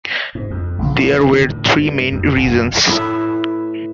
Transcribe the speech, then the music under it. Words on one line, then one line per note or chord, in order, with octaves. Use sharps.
There were three main reasons.
G#2
F2
A#1
A2
C#3
D3
A2
G2
F2
D#1
F#2
A2 E4 B4 E5